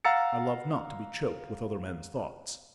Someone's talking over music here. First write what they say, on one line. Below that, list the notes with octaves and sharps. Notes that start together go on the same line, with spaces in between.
I love not to be choked with other men's thoughts.
F5 F#5 A#5 E6 A6 C#7